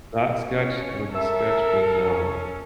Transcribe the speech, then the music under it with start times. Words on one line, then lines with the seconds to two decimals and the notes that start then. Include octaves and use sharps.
That sketch and then the sketch when, um,
0.46 C#4 C#5
1.15 A4 A#4 E5
2.06 C#4